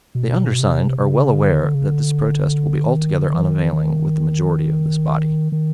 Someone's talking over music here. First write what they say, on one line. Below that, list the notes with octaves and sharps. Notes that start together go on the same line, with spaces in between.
The undersigned are well aware that this protest will be altogether unavailing with the majority of this body.
B2
C3
C3
C#3
D3
D3
C#3
D3
D#3
D3
E3
D#3
D#3
D#3